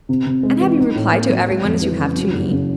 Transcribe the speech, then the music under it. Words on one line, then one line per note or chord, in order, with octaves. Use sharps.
"And have you replied to every one as you have to me?"
C3
C3
G#3
E3
D#4
A2
A#3
F#3
G#3
F2
E3
C#3
F#3
F#1
C#3